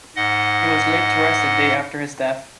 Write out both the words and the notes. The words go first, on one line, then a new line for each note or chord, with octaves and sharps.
He was laid to rest a day after his death.
G#2 D#5 F#5